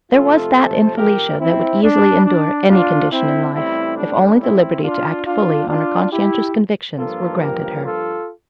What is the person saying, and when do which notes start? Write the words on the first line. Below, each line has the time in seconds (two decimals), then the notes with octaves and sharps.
There was that in Felicia that would easily endure any condition in life if only the liberty to act fully on her conscientious convictions were granted her.
0.11 F2 C3 F3 A3 F4 A4
0.54 A4 C5
0.97 G4 A#4
1.40 C4 E4
1.83 D4
2.25 D4
2.68 D4 F4
3.11 C4 E4
3.54 A1 A2 G3 C4 E4
3.97 D4
4.40 C4 E4
4.83 D4 F4
5.26 D4 F4
5.69 D4 F4
6.12 E4 G4
6.98 G2 F3 A#3 F4 A4
7.41 G4 A#4
7.84 F4 A4